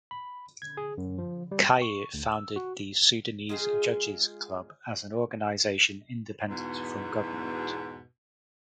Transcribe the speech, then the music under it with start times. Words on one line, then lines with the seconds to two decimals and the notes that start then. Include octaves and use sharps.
Khair founded the Sudanese Judges Club as an organisation independent from government.
0.11 B5
0.62 G#6
0.77 G#4
0.98 F#2
1.18 F3
1.51 G3
1.64 G5
1.82 C#6
2.14 D2
2.26 E6
2.56 F#4
3.49 G#3 F4 G#4 G5
6.48 E2 G#2 B2